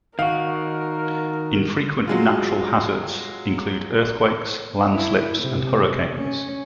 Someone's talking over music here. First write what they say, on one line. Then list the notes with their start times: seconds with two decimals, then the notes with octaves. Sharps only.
Infrequent natural hazards include earthquakes, landslips and hurricanes.
0.19 D#3 F#4 A#4 F5
2.07 F#3 G#3 F4
4.92 E4
5.40 C3
6.15 C#4